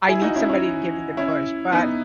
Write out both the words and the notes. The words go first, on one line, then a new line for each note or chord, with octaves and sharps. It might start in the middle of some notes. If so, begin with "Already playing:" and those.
I need somebody to give me the push, but
E4 G#4
D#4 F#4
C#4 E4
C#4 E4
C#4 E4
B3 D#4